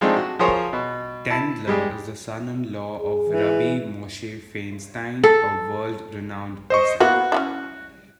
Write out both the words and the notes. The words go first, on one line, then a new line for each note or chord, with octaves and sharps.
Tendler is the son-in-law of Rabbi Moshe Feinstein, a world-renowned posek.
F3 G#3 A3 C4 D4 D#4
F#4
F3 G#4 A#4 C5 C#5
B2
E4 A5
G3 G#3 G4
G#4
E3
A4
C5 D#5 C#6
A#3 B3 E4 F#4 F#6
C#4 D#4 E4